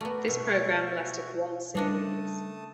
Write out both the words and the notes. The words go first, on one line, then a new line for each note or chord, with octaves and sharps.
This programme lasted one series.
A3 B3 F#4 A#4 D5
B2 F#4 E5 C#6
C#3 G3 A3 D4 D#5 A5 D#6